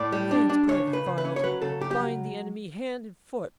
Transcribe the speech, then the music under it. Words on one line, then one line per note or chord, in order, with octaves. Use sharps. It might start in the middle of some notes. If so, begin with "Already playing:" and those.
"Advance, Private Files, and bind the enemy hand and foot!"
Already playing: A2 D5
G3
D4
D4
C#3 C#5
C#3
B4
C#3
B4
C#4
C#5
F#3 B4
C#3 A4
C#3 G4
G4
F#3